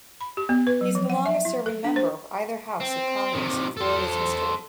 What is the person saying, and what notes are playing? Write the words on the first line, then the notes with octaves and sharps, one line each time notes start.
He is the longest-serving member of either house of Congress in Florida's history.
B5
G4
B3
B4
F#3
F3
F#5
E5
E4
A4
D4
C5
C4
C3 D#3
A4 C5